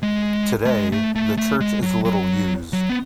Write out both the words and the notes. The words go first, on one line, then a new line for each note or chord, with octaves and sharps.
Today, the church is little used.
G#3
A3
G#3
A3
A3
A3
G#3
F#3
F#3
F#3
B3